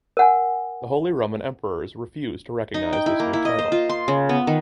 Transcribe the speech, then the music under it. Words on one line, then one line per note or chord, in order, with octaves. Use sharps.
The Holy Roman emperors refused to recognise this new title.
A#4 F#5 G#5
D#4
G5
E4
A#3
E4
D#5
C5
F4
C6
C#3
B3
D#3